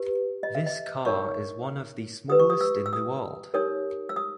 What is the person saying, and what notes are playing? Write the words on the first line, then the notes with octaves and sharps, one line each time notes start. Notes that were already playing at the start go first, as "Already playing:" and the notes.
This car is one of the smallest in the world.
Already playing: G4 B4
D#5
E5
D#5
D#4 A#4 C#5 C#6
G4 B4 D#6
C#6
D#6
E6
E6
D#6
D#4 G4 A#4 C#5 D#6
E6
D#6